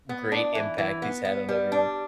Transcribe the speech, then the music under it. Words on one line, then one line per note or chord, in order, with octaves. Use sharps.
great impact he's had on everyone.
B3
D4
E3
E3
B3
B3
G3
D4